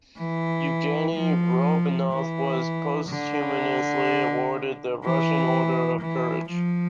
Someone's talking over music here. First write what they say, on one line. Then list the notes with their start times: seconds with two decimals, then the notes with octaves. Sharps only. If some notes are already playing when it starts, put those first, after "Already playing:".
Yevgeny Rodionov was posthumously awarded the Russian Order of Courage.
0.18 E3
1.15 F3
2.12 E3
3.09 D3
5.04 E3
6.01 E3
6.49 F3